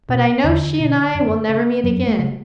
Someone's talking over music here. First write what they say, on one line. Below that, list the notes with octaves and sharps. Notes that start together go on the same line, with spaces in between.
But I know she and I will never meet again.
B2
E2 D3
B2
F#2
C#3
F#2 F#3
A3
C#3